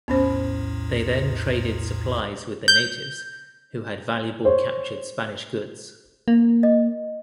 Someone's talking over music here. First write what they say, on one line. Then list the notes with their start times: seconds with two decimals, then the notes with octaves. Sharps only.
They then traded supplies with the natives who had valuable captured Spanish goods.
0.08 B1 E2 A2 B3 C#4 C5
2.68 G6
4.45 C5 C#5
6.28 A#3
6.63 D#5